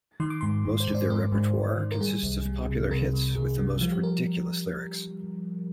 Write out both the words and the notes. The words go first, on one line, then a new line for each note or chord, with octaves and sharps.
Most of their repertoire consists of popular hits with the most ridiculous lyrics.
D#3 C6
D6
G#2 C6
G#2
C5
G#2
D5
G#2 A#4
G#2
G#2
D#3
A#4
G3 G#4
C2
G3
C3
C3 A#4
C3
C3 G#4
G3
F3 F4
G4
A#4